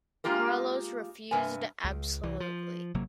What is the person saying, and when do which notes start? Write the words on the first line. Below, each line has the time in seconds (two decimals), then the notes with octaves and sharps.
Carlos refused absolutely.
0.24 G#3 A#3 F4 G4 A#4
1.31 G2 C3 B4 G#5
1.84 C#2
2.23 C2 E3
2.40 F3
2.95 G#1 C3 F#3 A#3